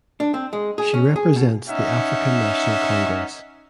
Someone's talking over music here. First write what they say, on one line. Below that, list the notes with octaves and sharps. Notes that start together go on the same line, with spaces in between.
She represents the African National Congress.
D4
C4
G#3
G#4
C#4
G#4
B2
C#4 D#4 E5 F#5